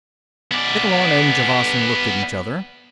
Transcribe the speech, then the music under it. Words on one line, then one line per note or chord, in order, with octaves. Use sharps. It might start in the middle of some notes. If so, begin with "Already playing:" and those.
Nikkolon and Javasan looked at each other.
B3 D5